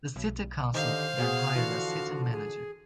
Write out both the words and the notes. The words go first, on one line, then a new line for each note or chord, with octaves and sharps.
The city council then hires a city manager.
B1
D3 D#3 D#4 G4 C5 F5
B2 F#4 G#4
D3 E3 F3 D4 F#4
G#4